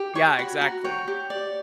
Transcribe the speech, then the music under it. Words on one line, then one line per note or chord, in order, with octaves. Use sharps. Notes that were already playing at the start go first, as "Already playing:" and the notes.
Yeah, exactly.
Already playing: G4
C#5 C#6
F#4 B5
F#4 A#5
C#5 G5
G4
D5